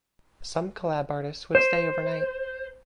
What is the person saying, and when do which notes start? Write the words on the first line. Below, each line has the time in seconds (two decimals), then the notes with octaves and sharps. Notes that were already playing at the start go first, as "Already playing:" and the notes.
Some Colab artists would stay overnight.
1.55 C5